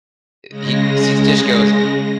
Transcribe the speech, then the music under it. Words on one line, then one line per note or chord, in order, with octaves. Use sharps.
uh, he sees just goes
C#3 G#3 A#6